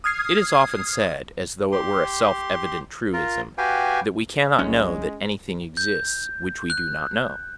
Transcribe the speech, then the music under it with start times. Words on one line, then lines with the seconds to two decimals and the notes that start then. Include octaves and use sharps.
It is often said, as though it were a self-evident truism, that we cannot know that anything exists which we do not know.
0.04 D#6 F6 G#6 C7
1.72 G4 C6
3.13 F4 A#4
3.58 F#4 G4 B4 F5 G5 G#5
4.59 C2 F#2 G#3 C#4
5.77 G6
6.70 F#6